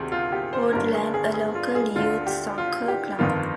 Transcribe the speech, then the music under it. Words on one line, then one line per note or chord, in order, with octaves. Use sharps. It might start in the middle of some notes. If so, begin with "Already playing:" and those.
Portland, a local youth soccer club.
Already playing: D2 C3 D#3 G#4
F4
G4
C5
G1 G2 D3 A#4
G#4
G#4
G#4
F4
G#4
D2 D3 F4
G4
F4
G4
G1 F2 D#3 F4